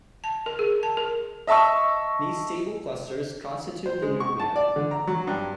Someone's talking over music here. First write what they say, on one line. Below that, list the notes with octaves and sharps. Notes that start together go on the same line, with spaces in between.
These stable clusters constitute the nuclei.
A5
A#4
G#4
A5
A#4
D#5 E5 A5 C#6 E6
C5
G#3
C#6
A5
D5
D3
A#5
F#3
G2